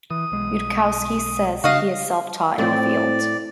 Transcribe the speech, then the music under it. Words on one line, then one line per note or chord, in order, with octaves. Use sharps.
Yudkowsky says he is self-taught in the field.
E3 D#6
B1 G#3
C#3 D4 F#4 D#5 F5
A2 C4 D5